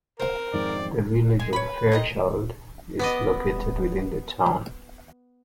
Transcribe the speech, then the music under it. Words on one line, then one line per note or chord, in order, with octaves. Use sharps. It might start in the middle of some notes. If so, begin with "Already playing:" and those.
The Village of Fairchild is located within the town.
C4 A#4
F2 G#2 D#3 D5
G#3 G#5
B4 C#5 B5
C4 D#4 D#5
B3 D5 D#5